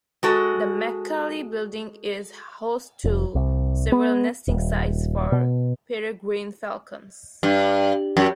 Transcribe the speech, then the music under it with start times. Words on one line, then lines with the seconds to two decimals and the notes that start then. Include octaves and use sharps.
The Mack-Cali building is host to several nesting sites for peregrine falcons.
0.23 G#3 F#4 A4
3.04 F1
3.35 C2
3.92 B3
4.48 D#1
5.32 B2
7.43 G2
8.17 F#2